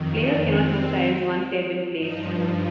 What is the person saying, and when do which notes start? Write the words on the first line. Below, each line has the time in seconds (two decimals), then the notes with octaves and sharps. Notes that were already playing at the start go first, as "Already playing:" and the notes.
Players cannot move tiles once they have been placed.
Already playing: F2 D#3
0.16 C#4
0.46 C4
1.97 G2 F3 D#4